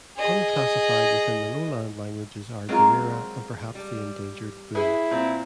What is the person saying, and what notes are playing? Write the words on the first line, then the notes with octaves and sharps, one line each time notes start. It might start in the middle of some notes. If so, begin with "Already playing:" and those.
Unclassified within the Lowland languages are Girirra and perhaps the endangered Boon.
G#4 D#5
F#3 G#3 C4 F4 A#4
G3
E4 G#4 B4
A#2 C4